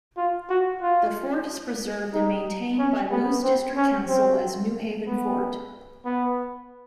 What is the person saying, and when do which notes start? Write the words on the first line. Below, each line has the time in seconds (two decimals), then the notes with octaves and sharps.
The fort is preserved and maintained by Lewes District Council as Newhaven Fort.
0.17 F4
0.49 F#4
0.81 F4
2.13 D#4
2.79 C#4
3.11 B3
3.43 C4
3.76 C#4
4.08 C4
5.07 B3
6.05 B3